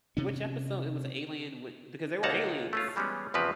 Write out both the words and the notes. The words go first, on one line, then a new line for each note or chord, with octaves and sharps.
Which episode? It was a alien wi because they were aliens.
C3 C#4
C#2 A#3 D#4 F#5 A5 A#5
A3 C#4 F4
E3 G3 G#3 B3 C#4
E2 C#3 F3 C4 G4 B4